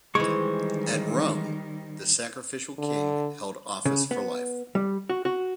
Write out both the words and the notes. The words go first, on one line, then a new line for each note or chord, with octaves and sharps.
At Rome, the Sacrificial King held office for life.
D#3 E3 G3 G#3 C5 C#6
D3
C#3
B3
G3
F#4
F#4